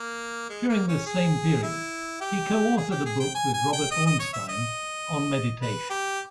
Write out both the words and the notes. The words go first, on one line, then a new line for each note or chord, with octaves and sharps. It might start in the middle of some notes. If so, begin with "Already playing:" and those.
During this same period, he co-authored a book with Robert Ornstein on meditation.
Already playing: A#3
G#3
A#3
C#4
G#4
E4
G4
G#4
G4
G#4
G5
G#5
G#5
G5
D#5
D#5
C#5
E5
D#5
B4
G4